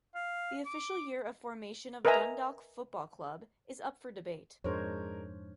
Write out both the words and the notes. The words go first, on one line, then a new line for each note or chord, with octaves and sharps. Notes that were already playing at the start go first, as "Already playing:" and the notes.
The official year of formation of Dundalk Football Club is up for debate.
F5
D6
A#4 B4 D#5 E5 G#5 A#5
F2 G#2 G#3 D4 A#4 C5 C#5